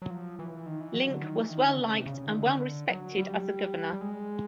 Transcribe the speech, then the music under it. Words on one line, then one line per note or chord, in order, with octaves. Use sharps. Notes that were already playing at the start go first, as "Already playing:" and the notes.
Link was well liked and well respected as a governor.
F#3
F3
E3
D#3
E3
F#3
D3
D#3
E3
D#3
D3
C#3
C3
C#3
D#3
D3
F#3
G3
G3
G#3